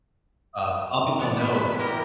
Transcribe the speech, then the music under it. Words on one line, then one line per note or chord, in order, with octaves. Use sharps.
Uh, lotta people don't know
E3 B3 D5
B4
E4 G4 A#4